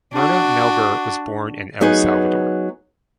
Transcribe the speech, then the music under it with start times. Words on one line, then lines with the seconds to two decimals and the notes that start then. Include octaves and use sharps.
Myrna Melgar was born in El Salvador.
0.13 D4 F#4
1.81 F#3 B3 D#4 G#4